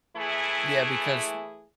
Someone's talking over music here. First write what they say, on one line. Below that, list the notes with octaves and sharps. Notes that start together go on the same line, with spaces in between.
Yeah, because,
E3 A3 E4 G#4